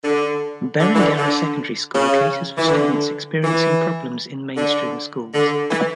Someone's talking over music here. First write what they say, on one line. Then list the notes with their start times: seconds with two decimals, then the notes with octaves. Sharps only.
Berengarra Secondary School caters for students experiencing problems in mainstream schools.
0.04 D3
0.80 D3
0.95 E3
0.98 D3
1.18 D3
1.93 C#3
2.57 E3
2.68 D3
3.44 E3
4.57 D3
5.33 D3
5.70 E3